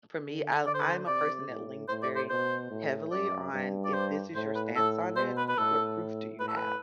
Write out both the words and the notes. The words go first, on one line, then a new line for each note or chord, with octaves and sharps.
for me, I I'm a person that leans very heavily on, "If this is your stance on it, what proof do you have?"
D3
D3 D5
C5
B4
C5
C3 D5
A2
A2 C5
D5
C5
B2 C5
A2
F#2 D5
G2
D5
C5
A2 C5
B4
A2 A4
B2 C5
B4
B4
A2 A4
A2 B4
A4
B4